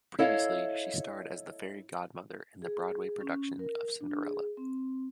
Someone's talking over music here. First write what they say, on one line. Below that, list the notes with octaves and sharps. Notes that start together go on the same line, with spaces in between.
Previously, she starred as the Fairy Godmother in the Broadway production of "Cinderella".
E4 A4 C#5 D#5 F5
G#4
C#4
A#4
D4
G#4
C4